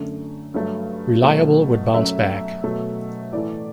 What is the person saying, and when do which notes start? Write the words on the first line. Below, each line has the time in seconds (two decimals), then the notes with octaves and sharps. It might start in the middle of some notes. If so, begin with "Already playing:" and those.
Reliable would bounce back.
Already playing: F#2 D3 A3
0.54 G2 F#3 A3
1.23 B2 F#3 A3
1.93 F#2 F#3 A3 E5
2.63 B2 F#3 A3
3.33 A2 E3 A3 D5